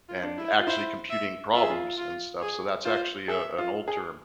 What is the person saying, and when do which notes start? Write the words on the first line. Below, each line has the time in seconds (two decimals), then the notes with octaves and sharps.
and actually computing problems and stuff- so that's actually, a an old term.
0.09 F4
0.23 D4
0.38 E4
0.59 F4
0.67 E4 C5
1.10 E5
1.54 F4 E5
1.63 G#4
1.70 F4
1.98 F4
2.42 G#4
2.85 F4 C5
3.28 G#4 E5
3.58 F4
3.88 G#4